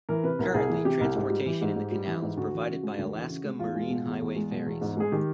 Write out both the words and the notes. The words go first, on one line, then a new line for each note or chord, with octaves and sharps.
Currently, transportation in the canal is provided by Alaska Marine Highway ferries.
E3 A#4
C3 B4
C2 A#4
C2 G#4
E3
C3 G4
C2
G#2
G3
E3
G#2
G#2
G3
E3
G#2
D2 F#4
E3
C#3
G#3
D2
E3
C#3
G#3
E2 F4
G#3
B2
E2
E2
G#3
B2
E2
G#2
G#3 G#4
D#3 G4